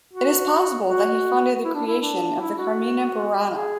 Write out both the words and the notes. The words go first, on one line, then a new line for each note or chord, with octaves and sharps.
It is possible that he funded the creation of the "Carmina Burana".
F#4
F#4
E4
D4
E4
D4
E4
F#4
G#4